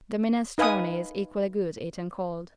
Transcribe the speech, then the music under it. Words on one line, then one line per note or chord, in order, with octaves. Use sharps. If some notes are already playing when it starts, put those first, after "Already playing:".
The minestrone is equally good eaten cold.
D#4 B4 F5 G#5 D#6